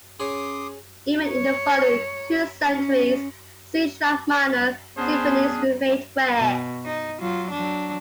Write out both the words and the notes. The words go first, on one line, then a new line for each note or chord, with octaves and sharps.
Even in the following two centuries, C-sharp minor symphonies remained rare.
C#4 G#4 C#5 C6 D6 D#6
C#5
C#4
B3 C#4 D4 G#4 C5
B2
D#4
F#3 F4
F#3 D4